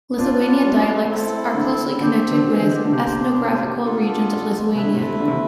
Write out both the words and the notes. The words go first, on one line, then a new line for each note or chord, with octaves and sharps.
Lithuanian dialects are closely connected with ethnographical regions of Lithuania.
C4 D4 F4 B4 D5
B3
G3
A3
A3 C4 E4 A4
D3
D3 C4 G4 C5
D3
E3
D3
D3
C3 D4 G4 C5
B3 D4 F4 A4
C3 A3 E4 B4 E5
D3
C3
D3
C3